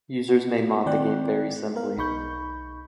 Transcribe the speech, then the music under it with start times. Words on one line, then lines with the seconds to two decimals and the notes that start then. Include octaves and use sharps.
Users may mod the game very simply.
0.29 F#4
0.86 D#3 C4 D5 G5 F#6
1.76 B3 A#4 F5
1.98 B1 D#4 B5 C#6 G6